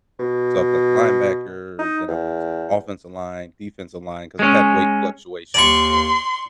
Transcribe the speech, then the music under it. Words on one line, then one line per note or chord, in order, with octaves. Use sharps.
so, I played linebacker, then I went to offensive line, defensive line, 'cause I had weight fluctuations, and
B2
D#4
E2
G#3 C#4
D#2 D5 C6 C#6